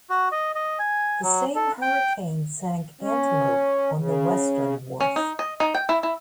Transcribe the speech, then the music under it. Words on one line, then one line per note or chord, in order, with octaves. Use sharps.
The same hurricane sank "Antelope" on the western wharf.
F#4
D#5
D#5
G#5
F#3
A4
G5
C#4
C#3
C#4
D#4
D#5
D#4
G5
E4
E4